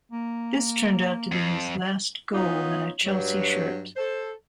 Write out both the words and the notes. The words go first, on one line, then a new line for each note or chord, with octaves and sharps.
This turned out to be his last goal in a Chelsea shirt.
A#3
F2
B3 C#4 D#4 F4
G2 F#3
A4 C5